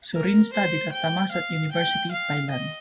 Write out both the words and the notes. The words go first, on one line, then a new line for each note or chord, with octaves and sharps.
Surin studied at Thammasat University, Thailand.
A#4
C5
G5
F5
G5
F5
D#5